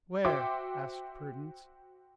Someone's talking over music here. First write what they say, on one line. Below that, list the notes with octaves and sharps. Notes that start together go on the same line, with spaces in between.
"Where?" asked Prudence.
F#4 C5 E5 G5 C6 D6